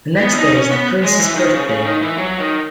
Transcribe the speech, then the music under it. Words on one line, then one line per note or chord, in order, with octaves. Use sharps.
The next day is the princess's birthday.
B3
E4
D#4
C#4
B3
G#3
E3
D#3
C#3
C#3
D#3
E3
F#3
D#3